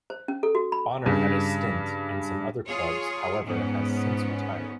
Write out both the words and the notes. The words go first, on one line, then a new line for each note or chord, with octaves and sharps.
Bonner had a stint and some other clubs however has since retired.
C5
C#4
A4
F#4
B5
G2 C#3
F4 G#4 C#5
G#2 B3 C#4